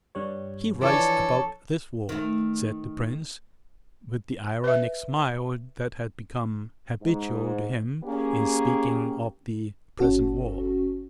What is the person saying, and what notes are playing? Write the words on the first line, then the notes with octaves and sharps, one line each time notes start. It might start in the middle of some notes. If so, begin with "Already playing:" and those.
"He writes about this war," said the prince, with the ironic smile that had become habitual to him in speaking of the present war.
G2 G3 C#5
E3 F3 D4 A4 C#5 D6
D#3 A3
B4 E5
G#2
A#3 C#4 G4 G#4
G1 C#4 F#4 A4